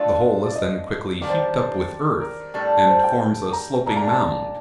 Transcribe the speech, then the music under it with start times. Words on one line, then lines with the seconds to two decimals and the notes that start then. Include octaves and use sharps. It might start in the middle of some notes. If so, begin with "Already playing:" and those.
The whole is then quickly heaped up with earth, and forms a sloping mound.
Already playing: F3 A3 D4 F4
0.44 D5
0.56 D#5
1.21 D#3 G3 D4 G4 D5
1.30 C5
1.37 D5
2.20 A#4
2.54 A2 G3 D4 A4
2.87 C5
3.04 G5
3.53 A#5
3.86 A#2 A3 D4 A#5
3.96 A#5
4.07 A5
4.19 A#5